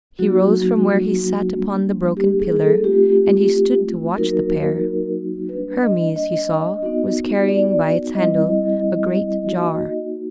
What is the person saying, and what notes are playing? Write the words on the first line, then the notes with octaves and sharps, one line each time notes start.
He rose from where he sat upon the broken pillar and he stood to watch the pair. Hermes, he saw, was carrying by its handle a great jar.
F#3 A#3 D#4 F#4
G3 A#3 D4
G4
G#4
G#4
A4
A3 C4 F4 G4
F#3 A#3 D#4 F#4 A#4
G3 A#3 D4 B4
D#5
D#5
B3 D#4 F#4
D5
G3 C4 E4 D#5
A#3 D#4 F#4